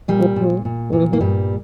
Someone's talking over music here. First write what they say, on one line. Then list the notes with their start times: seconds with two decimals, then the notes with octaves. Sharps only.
Mhm, mhm.
0.08 A#2 G3
0.36 A#2
0.65 A#2
0.93 A#2
1.13 A#3
1.20 G2 G3